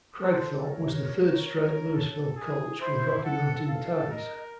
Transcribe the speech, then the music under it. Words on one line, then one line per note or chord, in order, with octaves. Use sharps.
Kragthorpe was the third straight Louisville coach with Rocky Mountain ties.
A4 C5
A#4 C#5
A4
G#4
E4 C5
A4 F#5
A4 F5
A#4 D#5